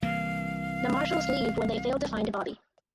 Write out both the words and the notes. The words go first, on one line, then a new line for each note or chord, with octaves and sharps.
The Marshals leave when they fail to find Bobby.
C2 E3 A#3 F5